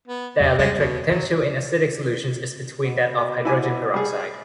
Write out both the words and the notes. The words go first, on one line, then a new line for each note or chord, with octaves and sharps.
Their electric potential in acidic solutions is between that of hydrogen peroxide.
B3
E2 G3
G3 G#3
D#2 B2
F#2 F#3
B2
E4 G#5 D6
G3 G#4